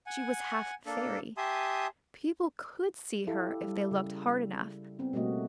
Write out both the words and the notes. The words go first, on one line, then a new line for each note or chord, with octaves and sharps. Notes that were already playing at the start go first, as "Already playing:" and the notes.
She was half fairy. People could see her if they looked hard enough.
F#5 G#5
A#3 D4 A4
G4 E5 G#5 A5 C6 D#6
E4 G4 A4 F5
G3
C#3 G3
B3 C4
B2 G3 A3 A#3 F#4 D#5